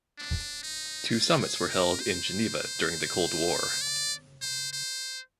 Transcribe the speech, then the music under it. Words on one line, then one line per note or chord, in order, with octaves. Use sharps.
Two summits were held in Geneva during the Cold War.
D4
D#4
F4
G#4
A#4
C5
D5
C5
C5